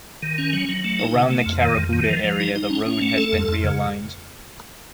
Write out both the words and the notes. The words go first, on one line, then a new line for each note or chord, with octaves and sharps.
Around the Carabooda area the road has been realigned.
D#3
C#4
F#3
F#3
A3
D#4
C#3
A3
F2
D#3
F2
D#3
F3
F3
D#4
D#4
C#4
C#4
A3
A4
F2
F2
C#3